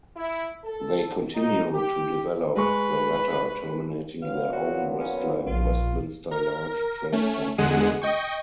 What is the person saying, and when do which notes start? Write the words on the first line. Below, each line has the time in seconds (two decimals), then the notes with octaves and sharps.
They continued to develop the latter, terminating their own Westland Westminster large transport design.
0.16 E4
0.65 A4
1.34 D#4
1.73 G4
2.56 G#3 B4 C#6
4.23 A#2 F#3 B3 F5
4.53 F#4
5.00 C#4
5.47 A#1 F4
6.31 A#4
7.12 A3 C#4
7.58 E2 D3 G#3 G#4 F#5 D#7
8.02 D#5 G5 C#6